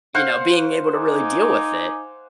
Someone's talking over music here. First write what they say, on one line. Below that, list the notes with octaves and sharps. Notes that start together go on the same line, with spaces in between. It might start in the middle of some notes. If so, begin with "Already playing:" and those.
you know, being able to really deal with it?
C5 F5 F#5
D#4 G#5 D6